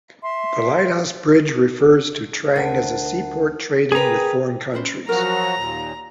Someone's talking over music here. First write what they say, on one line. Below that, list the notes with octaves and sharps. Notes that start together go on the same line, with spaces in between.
The lighthouse bridge refers to Trang as a seaport trading with foreign countries.
E5 C6
D2 A#4 F#5 A5
G4 G#4 A#4 B4 G5 A#5 D#6
C#4 B4 C5
F3 F#3 F#4 A#4 F5 A#5
D#2 A#2